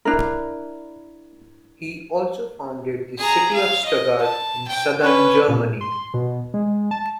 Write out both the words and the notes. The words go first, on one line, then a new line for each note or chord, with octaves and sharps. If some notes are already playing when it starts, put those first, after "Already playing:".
He also founded the city of Stuttgart in southern Germany.
D4 E4 A#4
G#4 A#5
F5
D#5
A5
G5
C#4 B4
A#2
C6
B2
G#3
A5